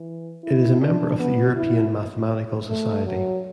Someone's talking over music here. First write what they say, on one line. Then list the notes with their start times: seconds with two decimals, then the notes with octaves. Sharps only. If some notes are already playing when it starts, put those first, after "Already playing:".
It is a member of the European Mathematical Society.
Already playing: E3
0.44 E4
0.81 D4
1.19 B3
1.56 E4
2.69 A3
3.06 F#3